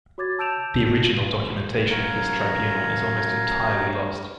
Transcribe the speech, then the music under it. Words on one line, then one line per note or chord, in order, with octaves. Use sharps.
The original documentation of this tribunal is almost entirely lost.
F#4 C#5 D6 G#6 A6
A5 E6 G6 D7 E7 F7
F#2 F#3 C#5 F5 A#5